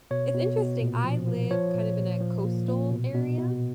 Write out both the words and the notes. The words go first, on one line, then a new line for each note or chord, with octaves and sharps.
It's interesting, I live kind of in a coastal area,
B2 C#5
B2
B2
A#2
F3
F3
F3 C#5
A#2
A#2
F3
A#2
A#2
B2
B2
B2